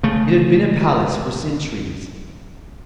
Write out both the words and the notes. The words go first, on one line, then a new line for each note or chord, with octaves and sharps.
It had been a palace for centuries.
C#3 A3